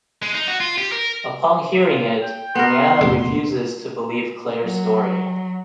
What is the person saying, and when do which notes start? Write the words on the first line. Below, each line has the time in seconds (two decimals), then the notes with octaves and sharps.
Upon hearing it, Brianna refuses to believe Claire's story.
0.22 G#3
0.34 D#4
0.48 F#4
0.60 F4
0.78 G4
0.92 A#4
1.83 F4
2.21 G5
2.55 B3 A#4 C6
3.01 F1 E2 A#2
4.62 F#3